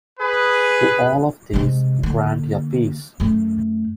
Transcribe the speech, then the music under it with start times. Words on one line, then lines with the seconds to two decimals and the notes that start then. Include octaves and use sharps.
To all of these, grant your peace.
0.20 G#4 B4
1.54 C3 G#3
2.03 D3 A#3
3.20 F#2 A3